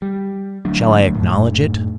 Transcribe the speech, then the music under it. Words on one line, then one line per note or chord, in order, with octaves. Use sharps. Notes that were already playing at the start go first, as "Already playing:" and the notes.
Shall I acknowledge it?
G3
D2 F#3 D4
F#2 A2